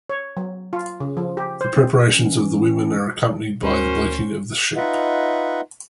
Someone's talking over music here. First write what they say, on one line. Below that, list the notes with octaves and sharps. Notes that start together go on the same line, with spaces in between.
The preparations of the women are accompanied by the bleating of the sheep.
C#5
F#3
F4
C#3
F3
G4
C5
C4
E3 C#4
D2 C#4 F#4 A#4 C5
D#4 F4 B4 D#5 E5 F#5